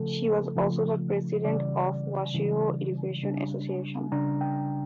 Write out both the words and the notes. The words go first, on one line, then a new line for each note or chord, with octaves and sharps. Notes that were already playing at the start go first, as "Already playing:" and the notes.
She was also the president of the Washoe Education Association.
Already playing: C#3 F3 A3 A4
C#3 F3 A3
C#3 E3 G3 D5
C#3 E3 G3
C#3 G3 D4
C#3 G3 D4 A#5
G5